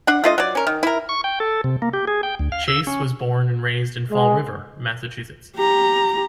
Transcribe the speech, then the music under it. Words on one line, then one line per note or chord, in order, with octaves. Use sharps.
Chace was born and raised in Fall River, Massachusetts.
D4 F#5
A3 F4 D#5
F#3 D5
C#4 A#4
D#3
E4 A#4
C#6
G5
A4
C3
A#3
G4
G#4
G5
D2
F5
E6
C#4
G#3
G4 A#5